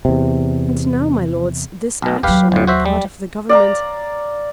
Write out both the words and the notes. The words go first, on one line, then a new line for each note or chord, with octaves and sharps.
And now, my lords, this action on the part of the Government....
E2 C3
B1 B2
D#2 F#3 G4 B4 F5
G1 A2
F#4 C5 E5
G3
D5 F5 A#5